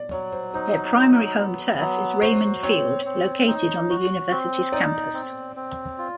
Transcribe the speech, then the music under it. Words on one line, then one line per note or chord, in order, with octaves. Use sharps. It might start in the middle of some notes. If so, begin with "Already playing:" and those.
Their primary home turf is Raymond Field located on the University's campus.
Already playing: D5
F#3 C#5
C5
D#4 C5
F#3
B3
F#3
F#4 C5
C4 C#5
C4
D#4
F#4
C4
D#4 D5
C4
C4
F4